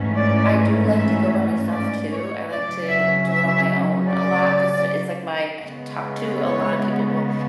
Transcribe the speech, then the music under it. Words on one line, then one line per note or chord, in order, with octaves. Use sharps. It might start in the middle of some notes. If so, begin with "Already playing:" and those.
I do like to go by myself too, I like to do it on my own a lot 'cause it's like my I talk to a lot of people, well,
Already playing: G#2 E3 A3 C#4
D5
E5
D5
C#5
C#3 F#3 C#4 D5
E5
E5
D5
C#3 G#3 B3
C#5